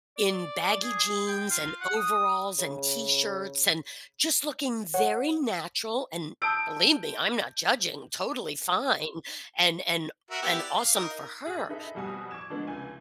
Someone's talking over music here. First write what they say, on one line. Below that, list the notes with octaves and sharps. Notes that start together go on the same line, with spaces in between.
in baggy jeans, and overalls, and t-shirts, and just looking very natural and believe me, I'm not judging, totally fine and and and awesome for her,
D5
D5
G#4
G#4
G5
F4
F#5
D#6
C#3
C#5 F#5
A5 D#6 E6 G6 D7
F#4 A#4 E5
B3 E4 G4
D5
F5
D#4 A#4
G#4
D#4 G#4 A4 B4 E5
F2 B2 G3 F#4 G#5 D#6
C#6 D6 G#6 E7
D3 F3 G#3 B3 D4
F1 C#2 G#5